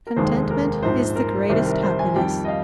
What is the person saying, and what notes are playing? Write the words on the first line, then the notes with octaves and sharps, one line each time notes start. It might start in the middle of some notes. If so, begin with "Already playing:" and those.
"Contentment is the greatest happiness."
A#4
F1 D#2 D#3 G#3 C5
A#4
A#1 G#2 F3 C5
A#4
C2 C3 D#3 G3 C5
A#4
C5
G#5
F2 D#3 G3 G5
D#5
F5